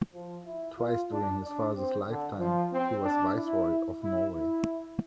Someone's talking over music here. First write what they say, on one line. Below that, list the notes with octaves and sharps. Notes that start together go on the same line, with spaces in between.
Twice during his father's lifetime he was viceroy of Norway.
F3
E4
F4
D4
D4
C4
D3
F3
C4
D4
E4
E4
E4